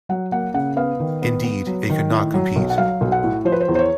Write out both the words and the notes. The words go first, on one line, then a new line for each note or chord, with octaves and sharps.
Indeed, it could not compete.
F#3 F#5
A#3 F#5
C#3 F#5
B3 F5
D#3
B3
B3
F#3
D#3
A2
F#3
B1
F#5
F#3 F5
B1
F#5
A2
F3 C5
B4
C5
E2
C5
C#5